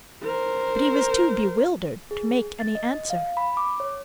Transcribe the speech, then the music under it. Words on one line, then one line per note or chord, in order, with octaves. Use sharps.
But he was too bewildered to make any answer.
A#4 C5
G#4
A6
D#5
F5
B5
D6
C#5